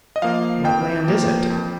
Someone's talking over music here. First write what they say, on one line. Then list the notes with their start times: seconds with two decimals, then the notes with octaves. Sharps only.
"What land is it?"
0.16 D#5
0.22 F3 A#3 F5
0.64 F2 G5
1.08 F3 A#3
1.50 F2